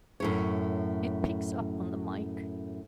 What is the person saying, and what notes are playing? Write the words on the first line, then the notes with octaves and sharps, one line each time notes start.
It picks up on the mike!
F#2 A2 C#5